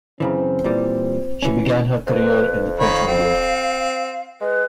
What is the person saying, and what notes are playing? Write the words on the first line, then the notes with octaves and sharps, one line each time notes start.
She began her career in the print media.
F#2 C#3 E3 C4
A#2 E3 G3
E3 C#4
F2 B4
D#3 C#5 F5 B5
C4
G#3 B4